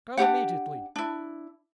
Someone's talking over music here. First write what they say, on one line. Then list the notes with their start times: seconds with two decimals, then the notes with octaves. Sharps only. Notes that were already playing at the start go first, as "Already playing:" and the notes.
Go immediately.
0.17 D4 D#4 G4 F#5
0.96 D4 E4